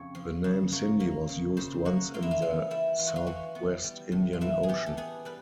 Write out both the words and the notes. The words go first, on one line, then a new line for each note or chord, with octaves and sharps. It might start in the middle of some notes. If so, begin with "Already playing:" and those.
The name Cindy was used once in the Southwest Indian Ocean.
Already playing: F2 C#3 C#5
F3
C#3
A#3 C#5
A#3
C#3
C#3 C5
A#3 F#4
A#3 F4
E4
F4
E3 F4
G3 E4
E3 F4
F#4
F4
E3 F#4
B3
G3
A2
F4
E3 E4
G#4
B3 G4
A4
B3 G#4
G3 B4